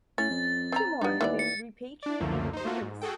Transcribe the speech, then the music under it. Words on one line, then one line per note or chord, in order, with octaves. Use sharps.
Two more have been repatriated from Greece.
A2 C#4 A6
F2
C4 C#4 A#5
G2 B3 D#4
D#2 E3 B3 D5
C#7
D4 D5
C#2 F#2 D3 F3 A3 A#3
D#4 C5
A3 A#3 F4 F#4
G#2
F#4 G#4 A4 G5